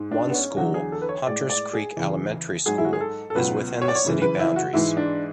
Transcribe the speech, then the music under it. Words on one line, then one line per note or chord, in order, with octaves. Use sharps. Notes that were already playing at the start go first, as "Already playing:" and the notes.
One school, Hunters Creek Elementary School, is within the city boundaries.
Already playing: G#2 G#3
D4
B3
C#4
E2 D3 F#3 F#4
G#4
A4
B4
C#5
A2 G#3 D5
D5
G#4
E2 C#3 E3
G#2 F#3 G#4
E4
F#4
G#4
A4
A4
C#2 B2 F#3 B4
C#5
D5
C#5
F#2 C#3 E3
B4
E4
F#4
G#2 E3 G#3 E4
D4